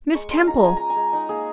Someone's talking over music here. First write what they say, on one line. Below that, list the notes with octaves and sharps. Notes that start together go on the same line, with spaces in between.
Miss Temple!
G#3 C#6
C#4 C6
F4 A#5
G#3 G#5
G#3 A#5
G#5
G#3
D#4 F#5
A#3 G#4